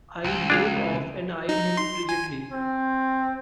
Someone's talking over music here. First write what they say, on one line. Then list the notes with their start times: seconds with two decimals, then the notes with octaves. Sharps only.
I broke off and eyed him frigidly.
0.24 C#2
0.50 D4 G#4 F5
1.49 D#4
1.77 C6
2.09 G#5
2.52 C4